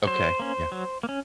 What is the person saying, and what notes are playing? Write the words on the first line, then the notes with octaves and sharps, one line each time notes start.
Okay, yeah.
F#3 C5
A#3 C#4
F#3
A#3
C#4